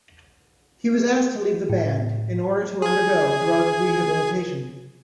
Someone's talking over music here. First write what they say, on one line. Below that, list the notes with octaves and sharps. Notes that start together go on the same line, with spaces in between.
He was asked to leave the band in order to undergo drug rehabilitation.
A2
G#4 G#6